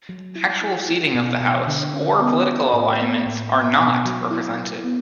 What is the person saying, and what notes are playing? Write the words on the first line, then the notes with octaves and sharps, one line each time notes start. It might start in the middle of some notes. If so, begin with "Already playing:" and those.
Actual seating of the House or political alignments are not represented.
F#3
E4
E4
E4
B2
B2
D3
C#4
B3
B3
A2
B3
A2
B3
B2
F#3
E4
E4
B3